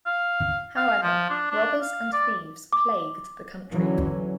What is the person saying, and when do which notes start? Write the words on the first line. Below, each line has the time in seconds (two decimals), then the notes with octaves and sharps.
However, robbers and thieves plagued the country.
0.06 F5
0.77 F5
1.03 F3
1.30 D4
1.51 D4
1.82 F5
2.13 D5
2.73 D6
3.71 D3 E3 F#3 C#4